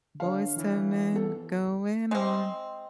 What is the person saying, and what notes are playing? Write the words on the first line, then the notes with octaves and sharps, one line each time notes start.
Boyz II Men going on
D3 C#5 F5
E3
B3 A4
G#3 C4